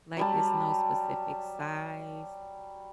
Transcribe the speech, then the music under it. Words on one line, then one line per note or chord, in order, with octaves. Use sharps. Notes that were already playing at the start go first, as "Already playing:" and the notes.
Like, it's no specific size,
F#3 G3 A5